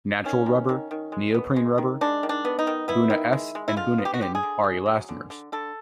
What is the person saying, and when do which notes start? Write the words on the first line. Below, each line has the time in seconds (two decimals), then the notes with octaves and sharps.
Natural rubber, neoprene rubber, buna-s and buna-n are elastomers.
0.25 D#3 C#4
0.46 D#3
0.69 D#3
0.91 D#3
1.12 G#3
1.34 B3
1.56 G#3
1.78 D#3
2.01 G#3 D4
2.23 D#3
2.29 D4
2.45 B3
2.59 D#4
2.67 D#3
2.88 B3 E4
3.10 D#3
3.33 G#3
3.55 G#3
3.68 E4
3.77 D3 F4
3.98 B3
4.05 G4
4.14 F#4
4.21 D3 G4
4.35 G#4
4.43 D3
4.64 D3
4.86 F#3
5.09 D3
5.30 D3
5.52 D3 A4